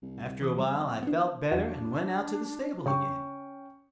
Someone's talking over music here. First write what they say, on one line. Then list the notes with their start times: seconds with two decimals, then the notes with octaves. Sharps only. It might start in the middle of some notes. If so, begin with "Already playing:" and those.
After a while I felt better, and went out to the stable again.
0.02 C2
0.42 E3 D6 D#6
0.58 F2 G3
1.03 B3 D4
1.52 E2 F#3 D4
2.86 C#3 C#4 G5 C#6